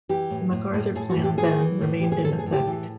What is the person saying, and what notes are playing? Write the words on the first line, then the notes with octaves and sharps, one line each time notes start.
The MacArthur Plan, then, remained in effect.
E3 G4
A2
A2
A2
A2 G#4
F#4
A2
G4
E3 G#4
E3
A2
E3 G4
G#4
A2 A4
G#4
A2
G4
E3